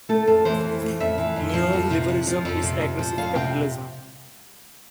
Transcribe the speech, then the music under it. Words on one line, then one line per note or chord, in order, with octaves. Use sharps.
Neo-Liberalism is aggressive Capitalism.
A3 A4
F2 A4
E3 C5
F2
A3
F2 E5
E3
F2
F3
F2
C3
F2
F3
F2
C3
F2
F3
F2 F5
C3 G5